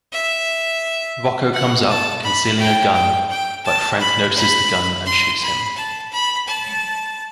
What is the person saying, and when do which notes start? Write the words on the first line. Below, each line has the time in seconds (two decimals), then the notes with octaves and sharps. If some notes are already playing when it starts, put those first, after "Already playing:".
Rocco comes up, concealing a gun, but Frank notices the gun and shoots him.
0.12 E5
1.53 F#5
1.88 A5
2.23 B5
2.58 G5
2.94 G5
3.30 G5
3.65 A5
4.00 B5
4.35 B5
5.06 C6
5.42 B5
5.76 A5
6.12 B5
6.47 A5